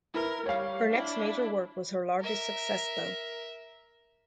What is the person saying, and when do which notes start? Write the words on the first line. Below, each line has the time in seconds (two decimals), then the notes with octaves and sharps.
Her next major work was her largest success though.
0.14 E4 A#4 B4
0.46 G3 C#5 F5
0.90 D4 E4
2.21 A#4 E5